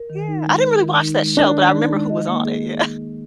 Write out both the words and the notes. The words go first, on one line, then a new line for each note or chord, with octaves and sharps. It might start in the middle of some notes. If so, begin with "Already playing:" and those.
Yeah, I didn’t really watch that show, but I remember who was on it. Yeah.
Already playing: A#4
D#3
D#4
G#3
A#4
D#3
D#4
G#3
D4 A#4
D#3
D#4
G#3
D#5
A#3
G#4